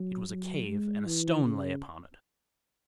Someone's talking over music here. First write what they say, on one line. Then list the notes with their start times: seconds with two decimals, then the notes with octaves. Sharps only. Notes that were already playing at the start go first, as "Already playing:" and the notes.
It was a cave, and a stone lay upon it.
Already playing: F#3
0.29 F#3
0.68 G#3
1.06 E3
1.45 C#3